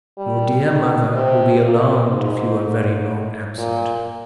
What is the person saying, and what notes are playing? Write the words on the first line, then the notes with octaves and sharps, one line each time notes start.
Your dear mother will be alarmed if you are very long absent.
G3
D#3
C3
A#2
G#2
A#2